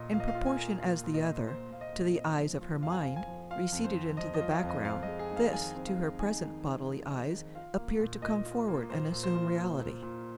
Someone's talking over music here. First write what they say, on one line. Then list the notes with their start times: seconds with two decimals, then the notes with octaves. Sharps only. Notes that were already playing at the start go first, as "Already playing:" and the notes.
In proportion as the other, to the eyes of her mind, receded into the background, this, to her present bodily eyes, appeared to come forward and assume reality.
Already playing: A#2 A#3 F4 D#5
0.13 A#2 F5
0.20 D#5
0.28 F5
0.35 F4
0.46 G#5
0.57 A#3
0.80 A#2 F5
1.03 A#2
1.14 D#5
1.25 F4
1.47 A#3 C5
1.71 A#2 F5
1.81 D#5
1.93 A#2
2.15 C4 D#5
2.37 F3
2.61 F4
2.83 F2 F5
2.92 G#5
3.01 C4 F5
3.16 G#5
3.28 F3
3.50 F4 F5
3.72 F2
3.84 C5
3.95 C4
4.17 F3 D#5
4.34 D#5
4.41 F4
4.52 F5
4.63 F2
4.69 D#5
4.85 C4 F5
5.03 D#5
5.08 G#3
5.19 G#4
5.30 D#4
5.36 F5
5.53 D#3 G#5
5.75 C4
5.87 F5
5.98 G#3
6.20 D#4 G#5
6.42 D#3
6.65 C4
6.88 G#3
7.10 D#4
7.33 D#3
7.55 F4 F5
7.77 A#3
8.00 A#2
8.22 A#2 D#5
8.45 F4
8.68 A#3
8.90 A#2 C5
9.12 A#2
9.23 C5
9.35 F4
9.57 A#3
9.80 A#2
10.02 A#2